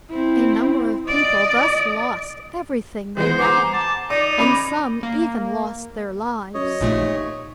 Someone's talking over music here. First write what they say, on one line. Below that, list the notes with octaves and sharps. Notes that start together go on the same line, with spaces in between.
A number of people thus lost everything they had, and some even lost their lives.
C4 E4
D5 D#5
E3 G#3 B3 C5
F#5 G#5 A#5 D6
A5
D#4 D5 D6
C#4 B5 D6 F7
A#3
F#2 C#5 D#5
A#1 D#2 A#2 A3